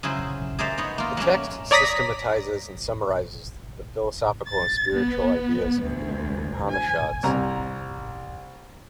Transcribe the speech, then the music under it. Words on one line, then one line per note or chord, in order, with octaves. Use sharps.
The text systematizes and summarizes the philosophical and spiritual ideas in the Upanishads.
C#3 F#3 E4 G#4 C5
G#4 A#4 C5 D5 E5 F5
B3 D#4 C#5
A#3 F4
F#3 A3 A#3 C#4
C#5 D5 A#5 D#6 A#6 B6
A6
B3
D2
G#5
C2 A#5